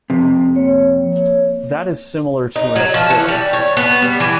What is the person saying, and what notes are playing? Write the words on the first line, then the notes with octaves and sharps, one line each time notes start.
That is similar to an acquittal.
F2 C3
A#3 C#5
D#4
F#3
F3
E3
G3
C#5
B3
G3
E3